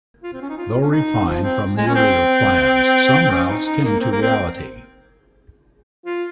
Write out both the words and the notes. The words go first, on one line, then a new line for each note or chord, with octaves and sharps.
Though refined from the earlier plans, some routes came to reality.
F4
C4
C#4
D#4
F4
C#4
D#4
F3
C4
G#3
C#4
C4
C#4
D#4
D#4
A#3
C4
A#3
C4
F4